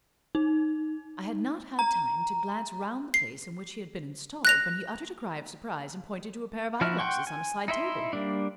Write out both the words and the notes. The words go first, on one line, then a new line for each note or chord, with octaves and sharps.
I had not had time to glance round the place in which he had been installed, when he uttered a cry of surprise and pointed to a pair of eye-glasses on a side-table.
D#4
A#5
C7
F#6 A#6 F7
F3 E4 F#4 F6
F#5 G5 C6 C#6
G#5
D#4 E4 E5 C6
G3 A#3 D4